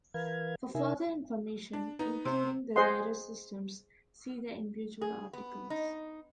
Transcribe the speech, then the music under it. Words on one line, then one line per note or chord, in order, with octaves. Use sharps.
For further information, including the rarer systems, see the individual articles.
E3 A#4 B4 F5 G#6
C3 D#4 A#4 E5 G#5
D4
B3 D#4
C3 C5
G#4 C5 D#5 F#5 C6
G#4
B3
D#4